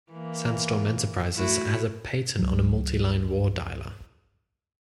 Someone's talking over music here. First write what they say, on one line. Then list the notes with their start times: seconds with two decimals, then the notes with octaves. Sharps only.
Sandstorm Enterprises has a patent on a multi-line war dialer.
0.11 E3 A#3
1.35 A3 E4 F#4
2.39 C#2 F#3